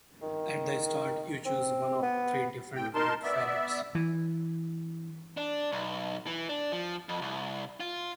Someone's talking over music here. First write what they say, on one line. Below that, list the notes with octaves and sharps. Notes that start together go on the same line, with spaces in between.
At the start you choose one of three different coloured ferrets.
D#3
C4
B3
A2 G5
D#4 A#4 A5 C6
B3 D5 E5
E3
D4
B1
E3
D4
F3
F2
C2
F4